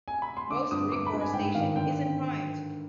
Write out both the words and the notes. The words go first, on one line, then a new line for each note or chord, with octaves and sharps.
Most reforestation is in pines.
G#5
B5
C6
D3 D6
G2 D#6
G2 D6
B5
G2
G#5
G#2 G5
D#3 F5
D3 G5